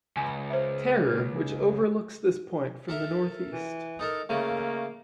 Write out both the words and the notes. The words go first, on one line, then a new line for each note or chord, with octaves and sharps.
Terror which overlooks this point from the northeast.
C#2 G#5
C5 E5
A#3
A4 A#4 E5
E3
D#4 A4 A#4
C#3 A3 A#3